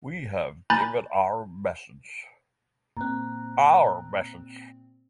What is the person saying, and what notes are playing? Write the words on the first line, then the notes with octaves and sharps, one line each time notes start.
We have given our message, our message!
G#5 A#5 B5 F#6 G6 A6
A#2 C4 A#5 F#6